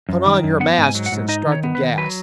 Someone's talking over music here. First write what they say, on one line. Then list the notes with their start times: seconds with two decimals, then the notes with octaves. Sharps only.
Put on your masks and start the gas!
0.09 F#2
0.26 D#3
0.43 F#2
0.60 B3 F#5
0.78 G#2
0.83 G#5
0.95 F#3
1.06 F#5
1.12 G#2
1.28 D#4 D#5
1.46 D#3
1.52 C#5
1.64 B3
1.75 B4
1.81 D#3
1.98 F#3 B4